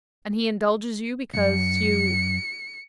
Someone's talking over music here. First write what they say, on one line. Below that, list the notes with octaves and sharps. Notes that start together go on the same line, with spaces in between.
And he indulges you because you . . .
C#2 F#2 C#7